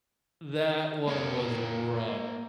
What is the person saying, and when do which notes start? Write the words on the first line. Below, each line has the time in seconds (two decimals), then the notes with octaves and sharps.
That one was rough.
1.08 A#3 A#4 C#5